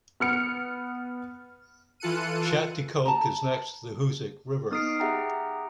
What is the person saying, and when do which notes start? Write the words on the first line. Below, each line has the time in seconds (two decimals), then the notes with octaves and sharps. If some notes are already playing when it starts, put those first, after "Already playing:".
Schaghticoke is next to the Hoosic River.
0.20 B3 F6 C#7
2.00 E3 F4 A4 F#6 C#7 D#7
3.06 A5 A#5
4.71 B3 D#4 D#6 F6 C7 D7
5.00 G4 G#4 E5 F#5 G5 A#5